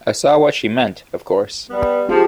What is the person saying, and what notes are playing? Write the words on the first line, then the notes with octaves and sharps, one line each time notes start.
I saw what she meant, of course.
G3 B3
F3 F4 G4 G#4